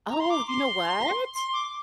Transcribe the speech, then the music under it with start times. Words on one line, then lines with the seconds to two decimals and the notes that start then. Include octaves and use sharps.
Oh, you know what?
0.10 A#5
0.20 C6
0.30 D6
0.47 C6
1.35 C6
1.53 D6